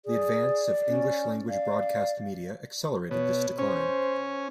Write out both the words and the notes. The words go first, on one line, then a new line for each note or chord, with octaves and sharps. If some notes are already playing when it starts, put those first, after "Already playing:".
The advance of English-language broadcast media accelerated this decline.
G#4 D5
C#4
D5 F5
B2 C#5
C#4 C5